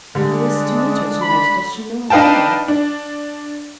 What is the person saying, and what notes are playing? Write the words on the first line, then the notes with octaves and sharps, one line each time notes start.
"I was to meet her to-night; does she know I'm here?"
D3 G3 G#3 D4
B5
D4 D#4 B4 F5 G5 A5
D4